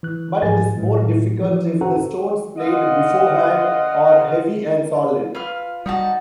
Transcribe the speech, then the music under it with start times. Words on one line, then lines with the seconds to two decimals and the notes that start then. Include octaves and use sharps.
But it is more difficult if the stones played beforehand are heavy and solid.
0.03 E3 F#6
0.42 G#2 F3 G#3 G#5 A6
0.77 A2 F#3 G#3 A3
1.41 E3 F3
1.81 C#4 F#4 A4 C5 F#5 A#5
2.58 D3 A#3 F4 D#5 F#5
5.35 F4 B4 F6
5.86 G3 D#4 F#4 A5